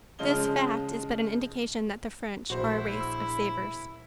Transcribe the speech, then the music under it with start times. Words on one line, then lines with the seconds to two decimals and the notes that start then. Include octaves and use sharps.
This fact is but an indication that the French are a race of savers.
0.19 C#3 F3 G#3 F4 D#5 G7
2.50 A#1 E4 F#4 C5
3.01 E6